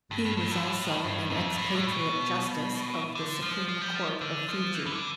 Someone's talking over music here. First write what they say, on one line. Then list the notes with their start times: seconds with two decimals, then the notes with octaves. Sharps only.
He was also an expatriate justice of the Supreme Court of Fiji.
0.11 G2
0.25 G2
0.37 G2
0.51 A2
1.04 G2
1.30 F2
1.57 G2
1.74 A2
1.87 A2
1.92 B2
3.15 D3
3.42 F3
3.68 F3
3.81 G3
3.95 F3
4.21 D3
4.49 F3
4.74 E3
4.86 E3
4.92 D3